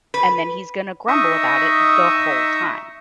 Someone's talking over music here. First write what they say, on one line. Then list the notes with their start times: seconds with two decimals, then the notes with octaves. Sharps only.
and then he's gonna grumble about it the whole time.
0.14 B4
1.08 D#4 D#5 E5 C#6 D#6 E6